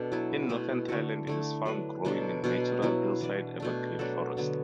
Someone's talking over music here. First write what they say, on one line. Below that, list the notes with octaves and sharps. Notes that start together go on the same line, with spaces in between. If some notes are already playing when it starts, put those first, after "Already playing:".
In Northern Thailand it is found growing in natural hillside evergreen forest.
Already playing: B2 D4 A4
F#3 B3 E4
B2 A3 E4
D3 A3 F#4
D3 A3 E4
F#3 D4 B4
B2 F#3 D4 A4
B2 F#3 D4 F#4
F#3 B3 E4
E3 D4 B4
B2 A3 D4
F#3 D4 F#4 A4
D3 F#3 B3